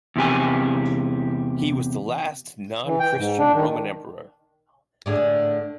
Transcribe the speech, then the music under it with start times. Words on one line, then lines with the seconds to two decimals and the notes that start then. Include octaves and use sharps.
He was the last non-Christian Roman emperor.
0.16 E2 C3 G4 G#5
2.86 E3
3.00 G5
3.17 G#2
3.39 D4
3.54 D#3
5.06 A2 D3 G#4